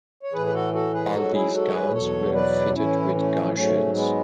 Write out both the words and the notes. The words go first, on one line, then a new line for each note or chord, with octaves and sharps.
All these guns were fitted with gun shields.
C#5
A2 E3 G#4 B4
B4
F#4 A4
F#4 A4
G#4 B4
G#2 F#3 F#4 A4
E4 G#4
F#4 A4
C#5
G#4 B4
E2 B2 F#3 A4 C#5
B4 D5
A2 E3 C#4 E4
A3 C#4
G#2 F#3 A3 C#4
G#3 B3